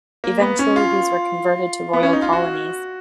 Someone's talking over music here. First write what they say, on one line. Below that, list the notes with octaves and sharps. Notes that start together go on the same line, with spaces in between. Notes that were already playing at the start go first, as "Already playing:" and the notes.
Eventually, these were converted to royal colonies.
A#3
B3
C#4
F4
B3
C#4
D#4
F4
F#4